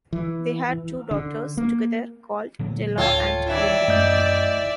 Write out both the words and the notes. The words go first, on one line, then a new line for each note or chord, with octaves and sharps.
They had two daughters together called Della and Lindy.
E3
D3
A#3
A#2 D3 F#3
D1 F4 A4 C#5 G5 G#6
D#3 E3 D5 E5
F#2 A3 D#5 G6